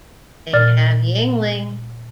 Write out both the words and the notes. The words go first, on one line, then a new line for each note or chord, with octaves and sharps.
They have Yuengling.
A#2 D5 F6 A6